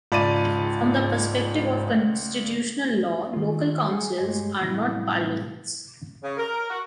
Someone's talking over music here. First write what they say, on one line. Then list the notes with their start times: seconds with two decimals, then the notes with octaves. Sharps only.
From the perspective of constitutional law, local councils are not parliaments.
0.12 C#2 G#2 F4 D5 A5 B5 D#7
3.33 D#3 F4
3.89 G#4 F#5 G#5
4.18 G2 G#3 G4 C#5 D#5 G#5
4.61 A2 C3 E3 F#3 G3 E4
6.22 C#3
6.37 A#4
6.70 F#4